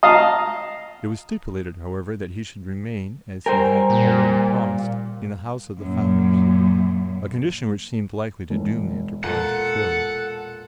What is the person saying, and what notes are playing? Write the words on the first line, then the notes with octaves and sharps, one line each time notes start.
It was stipulated, however, that he should remain, as he had already promised, in the house of the founders, a condition which seemed likely to doom the enterprise to failure.
D#5 F5 A5 A#5
G3 A#4 C5 G5 G#5
A#2
F#2 A#2
E1
A#2 A4 F#5